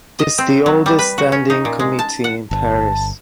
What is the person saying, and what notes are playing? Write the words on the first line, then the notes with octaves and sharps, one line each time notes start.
It is the oldest standing committee in Paris.
D#5
C4
F#3
G3
B4
F#4
C#4
D#4
A#2
G#3
A5
F#5
G1 A5